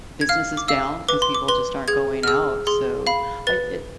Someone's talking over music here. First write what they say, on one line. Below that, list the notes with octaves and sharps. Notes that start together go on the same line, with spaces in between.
business is down 'cause people just aren't going out, so, I it
G#6
F5 F6
D6
F5 E6
B4 D6
C6
D6
B4 C6
G#4 G#6
F6
G#4 E6
G#4 C6
F5 B5
B4 A6